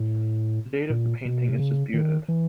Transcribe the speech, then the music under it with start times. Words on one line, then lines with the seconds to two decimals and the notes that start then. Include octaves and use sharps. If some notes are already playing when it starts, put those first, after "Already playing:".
The date of the painting is disputed.
Already playing: A2
0.90 A#2
1.25 B2
1.49 C3
1.59 C#3
1.94 D#3
2.28 E3